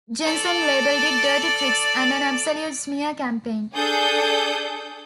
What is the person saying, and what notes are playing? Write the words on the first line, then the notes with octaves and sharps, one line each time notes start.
Jensen labelled it "dirty tricks" and an "absolute smear campaign".
A4 D5
D4 G#4 A4 D#6 G6